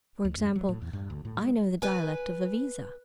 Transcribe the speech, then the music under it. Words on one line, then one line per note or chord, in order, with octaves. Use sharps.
For example, I know the dialect of Iviza.'
D2
F#2
F#3
A2
E2
G2
D2
A2
G#3
B4 G#5